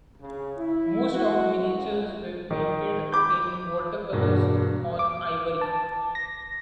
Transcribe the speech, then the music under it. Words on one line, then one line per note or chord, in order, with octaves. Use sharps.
Most of miniatures were painted in watercolors on ivory.
C#3
E4
F#4
C#2
D#3
B5 D6 G6
E1 G2 A#3 F#4
D6
A5
A#6